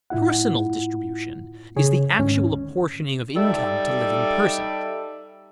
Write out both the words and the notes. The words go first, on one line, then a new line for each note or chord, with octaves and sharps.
Personal distribution is the actual apportioning of income to living persons.
A2 E4 F4 F#5
C#3 G#4 C#5
D2 G#2 D#3 C#4
G3 D#4 A4 D5 E5